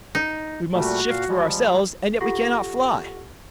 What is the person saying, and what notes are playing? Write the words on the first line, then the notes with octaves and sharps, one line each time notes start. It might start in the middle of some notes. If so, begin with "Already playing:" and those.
We must shift for ourselves, and yet we cannot fly!
D#4
A#2 G3 A3 F#4
A#2 F5
F3 G3 G#3
F4 G4 A4 F#5 C#6 A#6